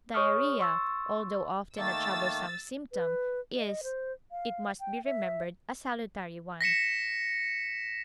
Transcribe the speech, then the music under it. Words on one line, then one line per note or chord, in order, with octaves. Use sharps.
Diarrhoea, although often a troublesome symptom, is, it must be remembered, a salutary one.
G#4 C#5 C#6 D#6 F6
C6 C#6 E6 A6
D#3 A3 A#3 E6 A6
B4
D#5
C5
F5
G5
E5
A#6 B6 C#7 E7